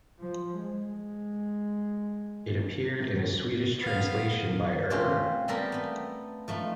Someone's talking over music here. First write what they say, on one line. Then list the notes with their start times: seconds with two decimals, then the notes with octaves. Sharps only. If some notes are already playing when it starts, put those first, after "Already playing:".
It appeared in a Swedish translation by Er.
0.21 F3
0.63 G#3
3.80 B3 F5
4.90 A3 C4 C#4 F4 G4
5.48 G3 A#3 B3 A4 A#4
5.72 A3 B3
6.48 F3 A3 D#4